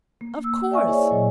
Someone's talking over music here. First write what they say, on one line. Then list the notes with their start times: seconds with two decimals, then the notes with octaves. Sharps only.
'Of course.
0.21 A#3
0.44 E6
0.71 D5 E5 G#5 C#6
0.87 E4 G#4 C5 C#5 D#5 E5
1.11 A#2 F#3